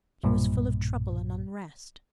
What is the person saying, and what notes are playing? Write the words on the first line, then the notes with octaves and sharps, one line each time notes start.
She was full of trouble and unrest.
B1 G2 A#2